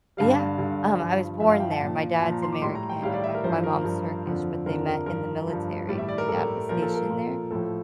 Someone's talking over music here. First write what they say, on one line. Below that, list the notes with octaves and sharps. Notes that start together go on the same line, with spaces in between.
Yeah, um, I was born there, my dad's American and my my mom's Turkish, but they met in the military when my dad was stationed there,
G2 D3 G3 F5
G2 D3 G3
G2 F3
G2 F3 E5
F5
G5
A5
A#2 F3
A#2 F3 A5
A#5
C6
D6
A2 G3 C6
A#5
G5
A2 G3 F5
D5
E5
A#4
G2 F3 C5
A#4
G2 F3
F2 D3 F3
F2 D3 F3 A#4
A#4
G2 F3 A#4
G2 F3
A2 G3 D5
E5
D5
A#4
A2 G3 A4
A#2 F3 A#4
A4
A#4
A#2 F3
A2 F3 A4